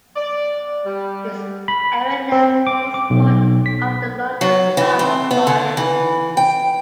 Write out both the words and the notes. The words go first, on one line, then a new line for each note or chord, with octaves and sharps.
This area now forms part of the London Borough of Barnet.
D5
G3
B5
C4
D6
D6
B1
B6
F#3
E3
C4
B3
D3
E3
G5